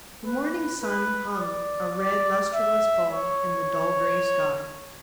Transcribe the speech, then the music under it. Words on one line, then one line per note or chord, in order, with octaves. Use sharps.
The morning sun hung, a red, lustreless ball, in the dull grey sky.
B4
B4
D5
D5
E5
C#5